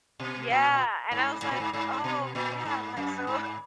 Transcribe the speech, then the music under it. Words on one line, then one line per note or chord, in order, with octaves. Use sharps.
yeah, and I was like, "Oh yeah," like, "so
B2
A#2
G#2
G#2
A#2
G#2
G#2
B2
A#2
G#2
F#2
G#2